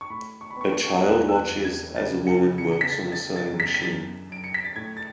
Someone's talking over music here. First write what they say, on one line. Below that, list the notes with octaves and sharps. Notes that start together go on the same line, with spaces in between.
A child watches as a woman works on a sewing machine.
C#6
A2 B5
C#6
B5
B3 C#6
C#6
E2 F#6
E6
F#6
E2
G#6
C#3 A6
C#7
C#3
C#7
C#7
B6
D3 A6
A6
F#2 A6
B6
A6
B6
F#2 A6
F#2 D7
C#7
B6
A6
A2 G#6
A6